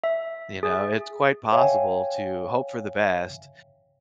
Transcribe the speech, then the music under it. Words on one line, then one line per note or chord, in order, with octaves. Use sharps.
you know? It's quite possible to hope for the best
E5
G#4
C#5 E5 F5 G5 G#5